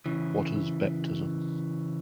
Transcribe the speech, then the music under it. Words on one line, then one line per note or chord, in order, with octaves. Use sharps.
What is baptism?
C#3 E3